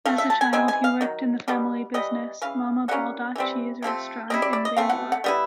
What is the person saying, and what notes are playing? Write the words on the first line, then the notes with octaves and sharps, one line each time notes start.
As a child, he worked in the family business, Mama Baldacci's restaurant in Bangor.
F3 A3 F5
E5
A5
G#5
E3 G#3 C4 D#4 G#5
G#5
F5
D#3 F#3
B2 G3 B3
E3 G3 B3 D#5
C#3 E3 F5
E3 G3 A#3 C#4 F#5
E3 G3 C4
C3 F3 A3 C4
G3 C4 E4 D#5
D5
D5
D#5
E3 A3 C4 F5
F#5
F#5
G3 B3 E4